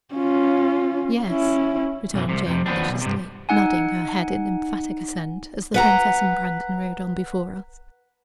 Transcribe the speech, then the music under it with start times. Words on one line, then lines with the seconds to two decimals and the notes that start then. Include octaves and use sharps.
"Yes," returned Jane maliciously, nodding her head in emphatic assent, as the princess and Brandon rode on before us.
0.14 C#4 F4
1.29 C#4 E4
2.14 B1 F#2 E3
2.29 C2 C3
2.46 F2 C3
2.66 D#2 F3 B3 C4 D4
2.89 B1
3.02 G2 C3
3.49 D#4 F#5 G#5
5.74 B4 F#5 A#5